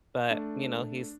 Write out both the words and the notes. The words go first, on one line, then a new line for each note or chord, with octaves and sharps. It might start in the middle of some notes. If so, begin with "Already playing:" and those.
But you know, he's
A3 D4